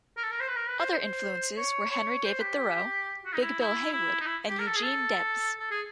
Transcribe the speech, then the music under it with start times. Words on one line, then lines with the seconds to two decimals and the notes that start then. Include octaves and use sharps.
Other influences were Henry David Thoreau, Big Bill Haywood and Eugene Debs.
0.17 A#4
0.23 A4
0.31 A#4
0.40 C5
0.48 B4
0.56 A#4
0.68 B4
0.79 C5
0.91 C5
1.57 C#5
1.91 C#5
2.25 C5
2.41 G4
3.25 F#4
3.34 D#4
3.42 E4
3.59 E4
3.93 E4
4.20 D#4
4.26 E4
4.48 G4
4.59 A#4
4.67 A4
4.76 G#4
4.83 A4
5.60 A4
5.71 G#4